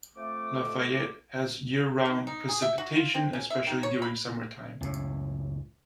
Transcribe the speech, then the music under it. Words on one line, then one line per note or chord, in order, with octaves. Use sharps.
Lafayette has year-round precipitation, especially during summertime.
F2 A3 D6
D#3
D#4
G#4
E5
F#4
F4
C4
C#4
E5
D#3
C#5
B5
C#2 F#2 A2